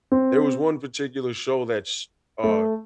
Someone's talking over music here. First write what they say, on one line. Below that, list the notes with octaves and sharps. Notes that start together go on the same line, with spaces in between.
there was one particular show that's, uh,
C4
A3